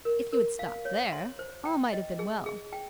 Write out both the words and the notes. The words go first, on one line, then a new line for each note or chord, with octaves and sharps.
If you had stopped there, all might have been well.
A#4
A#4
F5
C#5
C6
C5
G5
D#5
G#4
G#4
G5